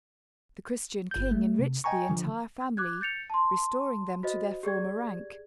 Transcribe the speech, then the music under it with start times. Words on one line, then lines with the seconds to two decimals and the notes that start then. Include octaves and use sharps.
The Christian king enriched the entire family, restoring them to their former rank.
1.11 G1 G6
1.31 A3
1.59 C3
1.84 D#5 G5 G#5 A#5 C#6
2.10 D3 F3
2.77 D6 F#6 G#6
3.01 G6 A6 C#7 F7
3.30 A5 C6
4.23 F#4 C5 D#5
4.63 G4 G#4 D5 G#6